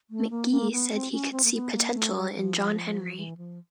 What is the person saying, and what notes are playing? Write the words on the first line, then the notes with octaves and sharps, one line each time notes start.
McGee said he could see potential in John Henry.
A3
A#3
A#3
B3
C4
C#4
C4
A#3
B3
A#3
A3
G3
F3
E3
F3